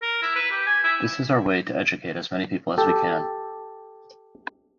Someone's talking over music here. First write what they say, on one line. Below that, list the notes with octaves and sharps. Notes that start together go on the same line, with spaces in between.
This is our way to educate as many people as we can.
A#4
E4
B4
G4
G#5
E4
G4 A4